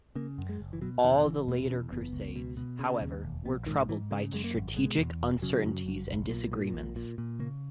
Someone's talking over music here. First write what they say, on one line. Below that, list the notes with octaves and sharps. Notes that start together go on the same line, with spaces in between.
All the later Crusades, however, were troubled by strategic uncertainties and disagreements.
C#3 A#3
F#2
G#3
F#1
E3
B2 F#3
E2 D#3
E1 E3
B2 A#3
E2 C#4
F#1 B3
C#2
B2
B2
C#3
D#2
E1
A#1 B3
G#2 D#3
G#2 E3
C#3 G#3
F#2 G#3
A#3
G#1
B2 G#3
E2
E1
C#3 F#3
F#2
F#1
B1
A#2
A#2
A#1
A#2
A#2
C#3 A#3